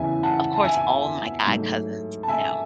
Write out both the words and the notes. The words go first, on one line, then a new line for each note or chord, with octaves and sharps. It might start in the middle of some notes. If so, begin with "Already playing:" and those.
of course, all my guy cousins know
Already playing: E2 C#3 E3 E5 G#5
F#5 A5
A5
E5 G#5
G#2 F#3 A3
A5
E5 G#5